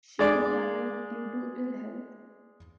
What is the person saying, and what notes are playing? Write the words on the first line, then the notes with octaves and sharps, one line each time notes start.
She retired due to ill health.
G#3 D5 D6